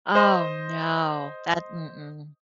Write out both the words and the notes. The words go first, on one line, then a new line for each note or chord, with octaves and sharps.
Oh, no. That mm-mm.
C5 D#5